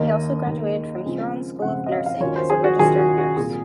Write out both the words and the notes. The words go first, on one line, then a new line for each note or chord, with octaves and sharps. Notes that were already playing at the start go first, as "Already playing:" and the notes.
He also graduated from Huron School of Nursing as a registered nurse.
Already playing: D#2 D#3 A#3 D#5
D#2 D#3 A#3
C#3 F3 G#3 C4 F4
C#3 F3 G#3 C4 F4 F#5
D#5
F5
F5
D#2 D#3 F#3 C#4 F4 C#5
C5
G#4
F#4
D#2 D#3 F#3 C#4 F4 G#4
F#4
F#4
C2 A#2 F#3 G#4